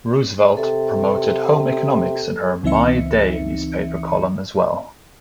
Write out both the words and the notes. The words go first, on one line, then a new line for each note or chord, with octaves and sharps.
Roosevelt promoted home economics in her "My Day" newspaper column as well.
C3 A4
C#2 E3 C4 D#4 E5 C#7